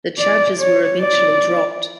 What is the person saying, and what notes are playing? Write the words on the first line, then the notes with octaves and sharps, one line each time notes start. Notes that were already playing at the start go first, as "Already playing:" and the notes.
The charges were eventually dropped.
D5
C#5
D5